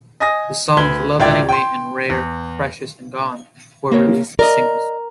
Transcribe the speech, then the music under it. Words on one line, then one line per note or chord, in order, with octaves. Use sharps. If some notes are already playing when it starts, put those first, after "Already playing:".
The songs "Love Anyway" and "Rare, Precious and Gone" were released as singles.
D#5 G#5 D#6 A#6
D2 B4 G#6 G7
D1 C#2 E4 D5 G5 G#6
G5 C6
E2
A#3 A#4 C#5
A#4 D5 D#5